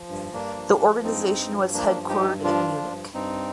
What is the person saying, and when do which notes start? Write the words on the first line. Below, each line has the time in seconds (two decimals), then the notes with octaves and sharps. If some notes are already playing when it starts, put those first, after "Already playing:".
The organisation was headquartered in Munich.
Already playing: F3
0.09 G2
0.33 G2 A#3 D4
0.57 F3
0.81 F3
1.04 G2 C4 D#4
1.27 G2
1.51 F3
1.73 F3 A#3 D4
1.97 G2
2.09 D#4 G4
2.21 G2
2.43 F3 D4 F4
2.67 F3
2.91 G2
3.14 G2 C4 D#4